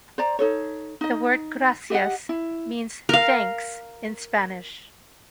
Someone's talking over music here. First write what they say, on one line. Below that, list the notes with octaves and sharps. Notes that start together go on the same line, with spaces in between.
The word "gracias" means "thanks" in Spanish.
C5 D5 A#5
D#4 A4 C#5
D#4 D#5
G4 D#5 E5 F#5
E4
A#4 F5